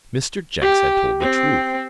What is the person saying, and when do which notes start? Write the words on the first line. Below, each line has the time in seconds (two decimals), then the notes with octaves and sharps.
Mr. Jenks had told the truth.
0.62 G4
1.20 C4